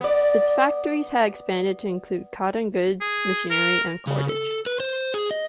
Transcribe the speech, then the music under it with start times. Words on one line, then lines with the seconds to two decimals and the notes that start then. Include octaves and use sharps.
Its factories had expanded to include cotton goods, machinery, and cordage.
0.01 B3 D5
3.01 G#4
3.50 A#4
4.07 C#3
4.29 A4
4.66 B4
4.80 C5
5.14 G#4
5.31 D#5